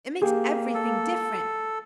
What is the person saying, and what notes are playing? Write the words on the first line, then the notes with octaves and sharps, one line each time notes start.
It makes everything different.
A#3 G4 G#4
A4